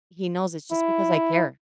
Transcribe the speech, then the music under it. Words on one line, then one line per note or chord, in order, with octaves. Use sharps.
he knows it's just because I care.
E4